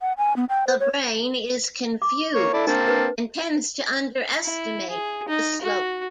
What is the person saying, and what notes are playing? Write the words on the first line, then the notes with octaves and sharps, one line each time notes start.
The brain is confused and tends to underestimate the slope.
F#5
G#5
B3
G5
C5
C#5
D6
A#3 C#5
E4 A4 D5
A#3 C4 D4 A5
B4
E4
G#4
D#4
F#4